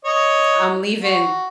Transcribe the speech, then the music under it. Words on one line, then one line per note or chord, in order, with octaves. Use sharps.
I'm leaving
C#5 D#5
F#4